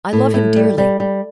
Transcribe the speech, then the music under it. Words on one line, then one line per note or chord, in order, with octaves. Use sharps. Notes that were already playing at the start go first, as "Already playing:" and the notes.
I love him dearly.
A2
A2
G3
G3
G3